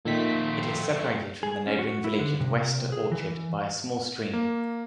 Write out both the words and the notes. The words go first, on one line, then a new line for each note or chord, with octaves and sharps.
It is separated from the neighbouring village of West Orchard by a small stream.
A#2 D#3 A3 C4 B6
G#4
C#4
F#4
E4
D3
C3
G#4
E3
A#3